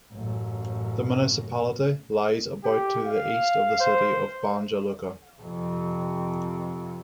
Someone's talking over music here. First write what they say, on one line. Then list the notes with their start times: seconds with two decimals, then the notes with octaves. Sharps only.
The municipality lies about to the east of the city of Banja Luka.
0.13 A1 F#2
2.64 G4
3.05 F5
3.80 C5
5.42 F2 C3